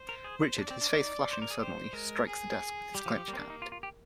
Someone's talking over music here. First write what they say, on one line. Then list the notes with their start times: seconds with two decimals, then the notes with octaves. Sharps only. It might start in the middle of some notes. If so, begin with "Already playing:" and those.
Richard, his face flushing suddenly, strikes the desk with his clenched hand.
Already playing: C5
0.09 A#4
0.24 G#4
0.58 D4 D5
0.70 C4
0.81 D4
0.92 D#4
1.33 C5
1.42 A#4
1.50 G#4
1.59 G4 C5
1.93 G#3 A#4
2.27 G#4
2.94 G3 G4
3.06 F3
3.16 F3
3.28 G3 A#3
3.34 C4
3.39 D4
3.50 D#4
3.62 F4
3.72 F4
3.83 G4